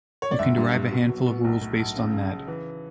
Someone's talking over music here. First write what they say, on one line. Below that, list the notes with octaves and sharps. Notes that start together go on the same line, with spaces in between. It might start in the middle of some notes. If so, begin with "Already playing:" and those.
You can derive a handful of rules based on that.
C#5
D5
G1 E5
G2
G2
B2
F#3
B2
B1
A2
B1
C#3
C#3
C#3
E3